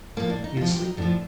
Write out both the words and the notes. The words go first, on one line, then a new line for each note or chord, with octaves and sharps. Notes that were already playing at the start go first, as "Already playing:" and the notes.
He is sleeping.
A2 F3 A#3
D4
D#4
A2 F3 F4
G4
D#4
A2 F3 D4